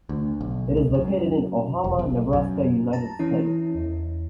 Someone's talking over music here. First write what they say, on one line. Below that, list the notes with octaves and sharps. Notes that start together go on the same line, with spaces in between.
It is located in Omaha, Nebraska, United States.
D2
B1
C#2
F#2
E1
B1
F#2
A5 A#5
E3 C#4 E4
E2